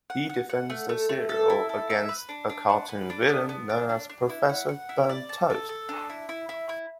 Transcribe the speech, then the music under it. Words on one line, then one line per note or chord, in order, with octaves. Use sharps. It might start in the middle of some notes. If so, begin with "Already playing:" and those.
He defends the cereal against a cartoon villain known as Professor Burnt Toast.
F#5
F#5
F#5
A3
A3
A3
A4
E4
A4
E5
B4
D4
D4
F#5
B4
D4
B3
B3
D4
D4
D4
E4
F#5
F#5
E4
D5
A5
A4
A4
D4
E4
E4
E4
E4